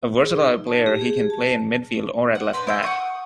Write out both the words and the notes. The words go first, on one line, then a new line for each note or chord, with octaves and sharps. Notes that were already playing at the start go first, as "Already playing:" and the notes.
A versatile player, he can play in midfield or at left-back.
G#4
D#4
A5
G4
G#4
A5
F#5
D4 B4 C5
E4 G6
F#5 C#6 D#6